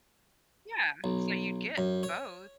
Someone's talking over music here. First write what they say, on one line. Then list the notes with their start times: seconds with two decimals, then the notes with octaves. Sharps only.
Yeah, so, you'd get both
1.04 B1
1.78 F#2
2.03 C#5